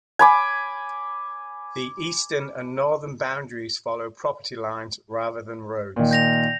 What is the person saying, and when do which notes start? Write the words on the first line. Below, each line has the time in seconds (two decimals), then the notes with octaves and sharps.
The eastern and northern boundaries follow property lines, rather than roads.
0.19 G#5 B5 D6
5.96 A#2 D#3
6.11 G6 A#6 F7